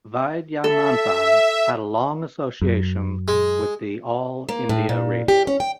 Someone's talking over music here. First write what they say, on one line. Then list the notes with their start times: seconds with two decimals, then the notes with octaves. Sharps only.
Vaidyanathan, had a long association with the All India Radio.
0.64 A4 E5
2.62 F#2
3.28 G#3
4.49 A#3
4.69 A2
4.89 A#2
5.28 G4
5.47 C#4
5.60 G5